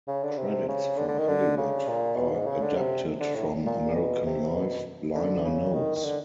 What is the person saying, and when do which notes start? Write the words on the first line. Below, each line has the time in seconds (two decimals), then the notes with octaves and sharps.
Credits for "Hollywood" are adapted from "American Life" liner notes.
0.08 C#3
0.23 D3
0.37 C3
0.68 C#3
0.97 D3
1.08 D3
1.18 D#3
1.28 D3
1.57 C#3
1.88 A#2
2.16 B2
2.32 G#2
2.46 C#3
2.62 D3
2.77 C3
3.20 D3
3.36 A2
3.66 A#2
3.95 B2
4.26 C3
4.54 B2
5.14 D3
5.45 C#3
5.74 D#3
5.96 D#3
6.03 D3